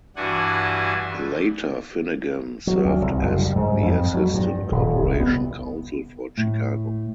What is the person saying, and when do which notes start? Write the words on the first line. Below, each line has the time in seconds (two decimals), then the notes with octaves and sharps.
Later, Finnegan served as the Assistant Corporation Counsel for Chicago.
0.16 G2 E3 D4 F#4 F#5 G#5
2.67 F#3
2.85 D2
3.02 C2
3.21 F#1
3.42 G3
3.56 G#2
3.82 F2
4.14 F#3
4.34 G2
4.72 D#1
5.03 C2
5.20 B3
6.38 A2